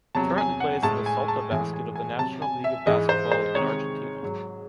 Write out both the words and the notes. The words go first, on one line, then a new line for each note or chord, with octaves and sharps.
He currently plays in the Salta Basket of the National League of Basketball in Argentina.
E2 C3 F#3 A5
G#5
F#5
A2 G#3 A5
G#5
A5
A2 E3 G#3 G#5
G#5
G#5
C3 F#3 A5
G#5
E5
G#2 E3 G#3 D#5
C5
C5
C3 D#3 G#3 C#5
G#2 F#3